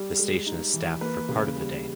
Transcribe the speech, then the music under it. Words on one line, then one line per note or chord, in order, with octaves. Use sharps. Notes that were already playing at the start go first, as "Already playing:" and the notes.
The station is staffed for part of the day.
Already playing: G3
G#3
D#4
E3
A#3 B4
C#3
G3